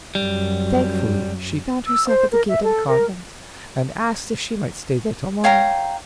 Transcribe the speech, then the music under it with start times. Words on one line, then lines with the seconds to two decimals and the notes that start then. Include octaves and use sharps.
Thankfully she found herself at the gate of a convent, and asked if she might stay there till morning.
0.15 F#2 G3
1.87 E6
2.08 C5
2.32 A#4
2.48 E5
2.63 A4
2.87 A#4
5.44 C#5 F5 G5 A#5